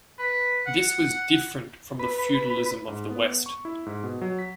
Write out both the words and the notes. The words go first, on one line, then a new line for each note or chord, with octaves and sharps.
This was different from the feudalism of the West.
B4
F#5
B4
G#2
B3
C#6
E4
G#2
B2
F#3
B6